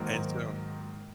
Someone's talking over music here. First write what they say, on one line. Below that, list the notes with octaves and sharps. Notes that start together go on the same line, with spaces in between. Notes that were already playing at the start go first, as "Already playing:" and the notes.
and so
Already playing: G#2 D#3 F#3 A#3